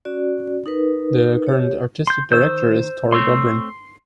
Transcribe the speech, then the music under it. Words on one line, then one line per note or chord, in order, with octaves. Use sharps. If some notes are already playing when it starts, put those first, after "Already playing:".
The current artistic director is Tory Dobrin.
C#4 F#4 D5
D#4 A#4 B4
G4 C#5
C6 G6
D#3 C5 E6 G6
A3 C4 C#5 C6